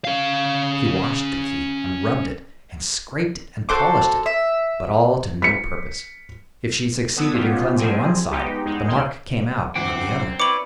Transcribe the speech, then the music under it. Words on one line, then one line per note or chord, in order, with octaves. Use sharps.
She washed the key and rubbed it, and scraped it and polished it, but all to no purpose, if she succeeded in cleansing one side, the mark came out on the other.
C#4 F5
F#4 A4 C5 D6
E5
B6 C#7
D3 B3 A5 D#6 E6 G#6
B3 C#4 D#4 F4 G4
F3 G3 G#3 C4 G#5
G#3 B3 D#4 G4 G5
E2 G#3 D#4
D2 D#3 G5 C6
D2 G#2 E3 C4 F#5 G5 D6
F#2
E4 B4 C#5 D5 D6 F#7